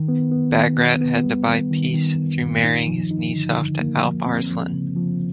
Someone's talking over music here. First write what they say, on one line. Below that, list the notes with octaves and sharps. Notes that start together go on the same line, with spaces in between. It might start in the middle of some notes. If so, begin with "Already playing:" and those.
Bagrat had to buy peace through marrying his niece off to Alp Arslan.
Already playing: D#3
B3
B3
D#3
B3
B3
G3
D#3
D#3
D#3
D#3
G2
D#4
F3
D#4
D3
D3
A#3
F3
C4
F3
C#3
F3